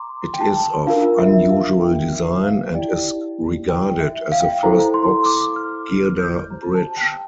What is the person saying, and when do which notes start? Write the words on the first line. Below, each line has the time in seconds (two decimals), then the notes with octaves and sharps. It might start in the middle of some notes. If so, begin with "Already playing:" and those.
It is of unusual design and is regarded as the first box girder bridge.
Already playing: A#5 C6 D6
0.34 G5
0.41 A5
0.87 D4 F4 A#4 F5
1.18 E5
1.50 F5
1.81 G5
2.12 E5
2.44 F5
2.75 E4 G4 D5 G5
3.69 G5
4.00 E5
4.32 F5
4.41 G5
4.50 F5
4.63 E4 A4 C5 A#5
4.94 C6
5.26 D6
5.56 F6
5.88 F6
6.19 G6
6.50 G4 C5 A#5
6.75 A5
6.97 G5